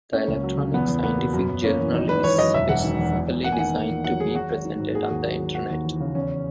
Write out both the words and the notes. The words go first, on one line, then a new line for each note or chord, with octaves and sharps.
The electronic scientific journal is specifically designed to be presented on the internet.
A#3 C#4
C#2
F#3
C#3
E2 B3
E2
A#3 B3
B2
F#2
F#2
A#3 C#4
E3
G#1 D#4
G#1 B4
E3 C#5
F#2 D#5
E1 E5
E1 F#5
D#3
E2
E2
E2
A#3 F#5
G#5
D#3 F#5
A#3
E2
F#3 F#5
D#3 G#4
F#3 F#4
G#1
D#3
G#2
A#3 G#4
F#4
D#2 G#4
F#3
D#3
A#3 F#4
D#2
E3
C#3
E2 C#4